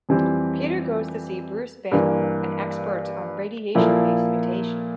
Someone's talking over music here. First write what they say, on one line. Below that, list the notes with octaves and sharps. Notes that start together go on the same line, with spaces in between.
Peter goes to see Bruce Banner, an expert on radiation-based mutation.
F2 E3 G3 C4
G2 E3 A#3
A#2 F3 A#3 E4 A4